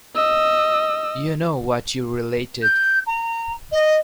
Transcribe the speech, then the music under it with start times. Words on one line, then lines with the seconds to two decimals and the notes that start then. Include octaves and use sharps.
You know what you related.
0.16 D#5 E6
2.63 G6
3.06 A#5
3.72 D#5